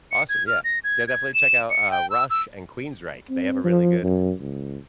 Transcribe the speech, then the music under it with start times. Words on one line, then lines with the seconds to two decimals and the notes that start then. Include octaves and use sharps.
Awesome. Yeah. Yeah, definitely check out, uh, Rush and Queensrÿche, they have a really good
0.12 C#7
0.29 G#6
0.47 F6
0.64 A#6
0.84 G#6
1.08 G#6
1.34 E7
1.70 C#7
1.91 G5
2.10 E6
2.30 E6
3.30 C4
3.64 F3
4.03 F#2
4.40 C#2